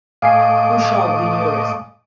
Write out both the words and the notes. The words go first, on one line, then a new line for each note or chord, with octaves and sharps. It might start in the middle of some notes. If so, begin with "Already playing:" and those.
Who shall be nearest?
A2 D#5 F5 G#5 D6 C7